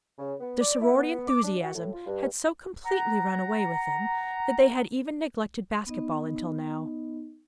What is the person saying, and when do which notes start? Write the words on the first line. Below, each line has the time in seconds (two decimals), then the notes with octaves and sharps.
Their sorority enthusiasm had so completely run away with them that they had even neglected basketball until now.
0.19 C#3
0.40 B3
0.60 D5
0.81 E4
0.94 B3
1.28 D6
1.44 D4
1.63 F#4
1.75 A2
1.94 F4
2.07 G2
2.85 F#5 A#5
5.86 B3 D#4 D#5